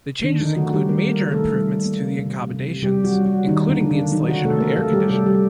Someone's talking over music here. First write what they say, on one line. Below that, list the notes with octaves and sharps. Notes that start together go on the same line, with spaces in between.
The changes included major improvements to the accommodation, including the installation of air conditioning.
D3 D#3 D4
D#3 D#4
F#3 A3 F#4
G3 G4
D#3 A#3 A#4
A#3 A#4
D#3
A3 A4
G3
A#3
C3
C3
C3 G3 G4
F#3 F#4
G3
F#3 F#4
D#3 A#3 D#4
D3 D4
A#3
D3 D4
D#3 F#3 D#4
F#3 F#4
C3 A3 A4
A#3 A#4
F#3 A3 A4
G3 G4
C3 A3 A4
G3 G4